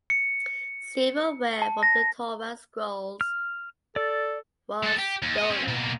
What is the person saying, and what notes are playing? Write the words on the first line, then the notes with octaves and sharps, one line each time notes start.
Silverware from the Torah scrolls was stolen.
C#7
A5
A#6
F6
A4 D5
G#3 A4
G4
D#2
B3 D#5
C4 C#4
B2 A#3